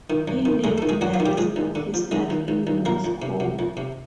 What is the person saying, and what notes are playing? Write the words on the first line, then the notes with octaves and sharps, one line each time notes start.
He lived the rest of his life in Moscow.
D#3
F#2
D#3
F#2 G#3 G#4
D#3 A4
G#3 G#4
F#2 F#3 F#4
F3 F4
D#3
G3 G4
F3 G#3 G#4
D#2
D3
F3
D#2 G#3 G#4
D#2
D#2
D#2
F2 A#3 A#4
F2
C3
C3
F2
C3